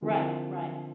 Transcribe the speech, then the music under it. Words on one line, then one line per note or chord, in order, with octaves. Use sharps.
Right, right.
D3 F3 C4 E4 A#4